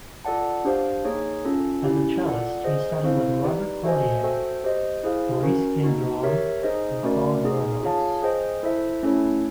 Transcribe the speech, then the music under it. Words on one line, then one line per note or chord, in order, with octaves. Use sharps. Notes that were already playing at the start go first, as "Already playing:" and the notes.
As a cellist, he studied with Robert Cordier, Maurice Gendron and Claude Burgos.
F4 A4 D5 F#5 A5
D4 G4 C5 F5
A#3 D#4 G#4 C#5
C#4 F4 A4
C#4 E4 G4
F4 A4 D5 F#5
G#4 C5 D#5
C4 E4 A4 C5 F5
D#4 G4 B4 D5
F#4 A4 C5 D#5 G#5
F#4 A4 C5 E5 G5
G4 C5 D#5
E4 G#4 C5 F5
C#4 F#4 A#4
A#3 D#4 F#4
G4 A#4 C#5 E5
D#4 G#4 C5 D#5
A3 C#4 F#4 A#4 D5
B3 D#4 G#4
F4 G#4 C#5 F5 A5
G#4 C5 D#5 G5
E4 A4 C5 E5
A3 C#4 E4 A4 C#5